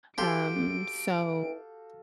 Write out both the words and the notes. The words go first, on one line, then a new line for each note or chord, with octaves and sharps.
um, so,
F#4 G4 A4 F5 C6 D7